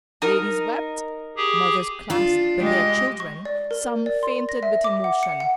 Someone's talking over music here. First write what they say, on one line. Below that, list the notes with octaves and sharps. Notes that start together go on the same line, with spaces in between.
Ladies wept; mothers clasped their children; some fainted with emotion.
D#4 A#4
G4 G#4
D4 F4
G#3 G4 D#5
C#6
D5
A#4
D5
C6
A#6
E5
D6
F#5
C#7
F#5